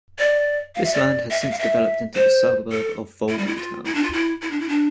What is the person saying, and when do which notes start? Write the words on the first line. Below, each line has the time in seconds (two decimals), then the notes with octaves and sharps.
This land has since developed into the suburb of Vogeltown.
0.19 D5
0.75 F5
0.84 E5
0.93 D5
1.31 E5
1.41 E5
1.50 F5
1.59 E5
2.15 C5
2.71 A4
3.28 E4
3.38 G3
3.47 E4
3.56 F4
3.85 E4
3.94 D4
4.03 F4
4.13 E4
4.41 E4
4.51 D4
4.60 E4
4.69 D4